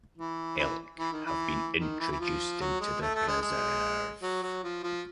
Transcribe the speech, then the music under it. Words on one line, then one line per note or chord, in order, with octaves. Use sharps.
Elk have been introduced into the preserve.
E3
E3
E3
D#3
E3
D#3
E3
E3
F3
F#3
G#3
A3
A3
G#3
G#3
F#3
F#3
F3
F3